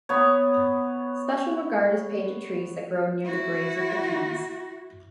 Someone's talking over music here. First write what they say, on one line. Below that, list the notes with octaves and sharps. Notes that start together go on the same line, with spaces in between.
Special regard is paid to trees that grow near the graves of the kings.
B3 C#5
E4 F#4